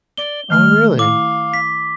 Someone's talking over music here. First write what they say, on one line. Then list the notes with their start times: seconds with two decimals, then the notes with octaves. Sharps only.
Oh, really?
0.18 D5 G7
0.50 D#3 A3 F6
0.99 E4 F5 D6
1.54 B6